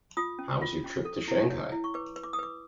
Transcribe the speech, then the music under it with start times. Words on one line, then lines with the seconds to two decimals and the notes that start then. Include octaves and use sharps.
How was your trip to Shanghai?
0.17 F4 D#6
0.39 C#4
0.62 F4
0.84 C#4
1.05 A4
1.28 E4
1.50 C#5
1.72 E4
1.84 C#6
1.94 B4 D6
2.16 B4
2.23 D6
2.33 D#6
2.39 B4 D6